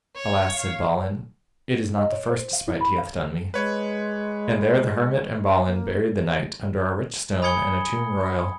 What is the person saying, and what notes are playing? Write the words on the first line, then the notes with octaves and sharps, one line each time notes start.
Alas, said Balin, it is not the first despite he hath done me; and there the hermit and Balin buried the knight under a rich stone and a tomb royal.
C#5
F5
D#5
C#5
C5
F5
E4
B5
F5
G#3 B4 C#5
A#3
G#5 B5 D#6 G#6 C#7 G7